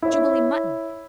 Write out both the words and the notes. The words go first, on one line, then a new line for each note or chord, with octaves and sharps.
Jubilee mutton.
E4 C#5